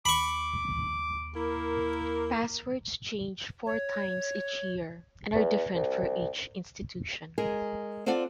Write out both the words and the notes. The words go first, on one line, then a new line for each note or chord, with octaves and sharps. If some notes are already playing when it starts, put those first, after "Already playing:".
Passwords change four times each year and are different for each institution.
D#2 B5 C#6 D6
A#3 E4 A#4
C#5
E2
C2
G#3 G#4 A#4
C4 F4 A4 D5 F#5